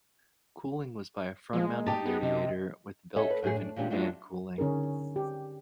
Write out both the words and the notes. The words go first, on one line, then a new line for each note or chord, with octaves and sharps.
Cooling was by a front-mounted radiator, with belt-driven fan cooling.
F3 G#3
A#3
D#4 G4 A5
B3 G#4
C3 D#5
A4 C#5 D#5 E5 F#5 G#5
B4
F#2 A2 F#4 G#4
D4
A#2 E3 G#3 C4 D4 G4
F#3 G#3 A3 C4 D4 F4
D3 C#4 D#4 G#4 A#4
G4